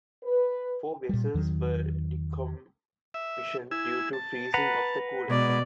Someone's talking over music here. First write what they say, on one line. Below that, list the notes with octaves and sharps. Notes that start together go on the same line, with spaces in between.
Four vessels were decommissioned due to freezing of the coolant.
B4
A#2 G3
E2 D#3 F#3
E5
E4 G#5 E6
A5
B4 F#5 A#5
B2 G#3 D5